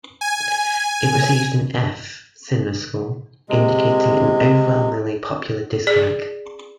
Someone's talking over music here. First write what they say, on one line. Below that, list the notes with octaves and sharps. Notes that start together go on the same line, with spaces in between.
It received an "F" CinemaScore, indicating overwhelmingly popular dislike.
G#5
C3 G#3
G#4 D5